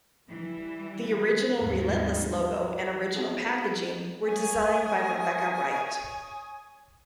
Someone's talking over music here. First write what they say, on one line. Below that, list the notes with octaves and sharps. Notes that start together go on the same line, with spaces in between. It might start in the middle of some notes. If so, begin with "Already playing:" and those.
The original Relentless logo and original packaging were designed by Rebecca Wright.
E3 G3
D#2 G#2 G3 C4 D#4
B3 C4 D#4 F#4 G#4 A4
C#5 G#5 C#6 D#6